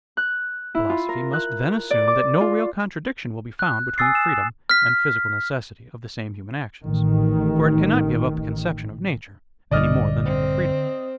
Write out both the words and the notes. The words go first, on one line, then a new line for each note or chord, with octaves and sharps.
Philosophy must then assume that no real contradiction will be found between freedom and physical necessity of the same human actions, for it cannot give up the conception of nature any more than that of freedom.
F#6
E4
F4
A#4
F#6
D5
D6
F4
F#6
G#5 D#6 E6 A6 C7
E7
F6 B6
A1 D#3
A#1 G2 D3 D5 D#5 F6
C4